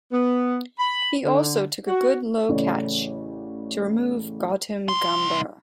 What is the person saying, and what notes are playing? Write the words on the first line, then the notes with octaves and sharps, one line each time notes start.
He also took a good low catch to remove Gautam Gambhir.
B3
B5
D3
F#4
A1 C#3 A3 C#5 D5
C2 C6